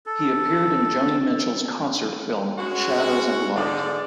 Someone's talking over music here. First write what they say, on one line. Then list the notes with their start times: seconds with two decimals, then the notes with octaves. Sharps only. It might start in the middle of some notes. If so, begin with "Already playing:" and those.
He appeared in Joni Mitchell's concert film "Shadows and Light".
0.06 A4
2.58 G#3 C#4 F#4
3.55 G#2 D3 D5